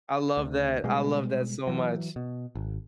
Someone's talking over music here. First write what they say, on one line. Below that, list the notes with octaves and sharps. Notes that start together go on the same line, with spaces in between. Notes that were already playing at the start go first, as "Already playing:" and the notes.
I love that I love that so much.
D2
B2 G3 G#3
E3 F#3
B2
G#1